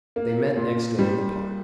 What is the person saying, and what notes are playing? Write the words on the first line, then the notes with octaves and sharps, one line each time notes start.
They met next day in the park.
A#3
A#2
G3